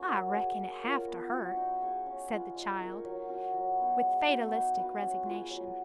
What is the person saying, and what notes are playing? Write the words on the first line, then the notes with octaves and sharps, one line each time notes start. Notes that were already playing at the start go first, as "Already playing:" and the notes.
"I reckon hit have to hurt," said the child, with fatalistic resignation.
Already playing: A#3 C#4 F#4
F#3
C#4 G#4
A#3
C#4 F4 A#4
B3
F#4 C#5
D#4
G#4 C#5 F5
C#4
F4 B4
G#3
D#4 A#4 C#5
F#3
C#4 F#4
F#3
B3 D#4
G#3
B3 D#4 F#4
D#4
F#4 B4 F5
C#4
F4 G#4 B4
F#3